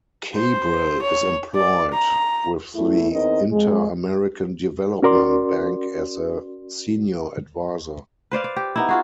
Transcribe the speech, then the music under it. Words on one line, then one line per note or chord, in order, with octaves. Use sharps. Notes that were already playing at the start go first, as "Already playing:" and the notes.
Cabral is employed with the Inter-American Development Bank as a Senior Advisor.
C5
C#5
D5
A#5
E2 A3 E4
E2 C4 D#4 A#4 D#5
F2 G#3
C#4 F#4 A#4 D5 C6
B4 C5 D5 F5
D5
G4
B3 D#4 E4
F4 F#4 G#4